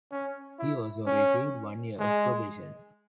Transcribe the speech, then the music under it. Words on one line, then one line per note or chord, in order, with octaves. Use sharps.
He also received one year of probation.
C#4
E4
C#4
G#3